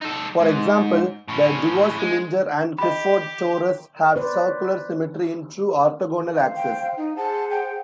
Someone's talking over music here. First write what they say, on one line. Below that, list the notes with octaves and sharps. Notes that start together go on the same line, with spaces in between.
For example the duocylinder and Clifford torus have circular symmetry in two orthogonal axes.
D#4 A4
G#2
A2 C#4
G#3
G4 D#5 B5
B4 C5 D5
C5 F5
G5
D#4
G#4 C5 F#5 A5
G5